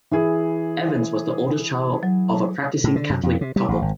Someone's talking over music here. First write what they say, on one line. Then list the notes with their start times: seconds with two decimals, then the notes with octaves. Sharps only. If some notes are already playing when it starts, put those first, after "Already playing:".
Evans was the oldest child of a practicing Catholic couple.
0.11 E3 E4 G#4
2.03 F#3
2.84 A2
2.95 D3
3.10 F#2
3.23 F2
3.41 C3
3.56 G3
3.68 A1
3.82 G#1